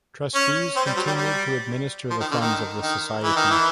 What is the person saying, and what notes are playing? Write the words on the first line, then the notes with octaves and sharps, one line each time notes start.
Trustees continued to administer the funds of the Society.
C#4
C4
G3
F#3
G3
G3
F3
D#3
D3
D#3
D#3
E3
D#3
E3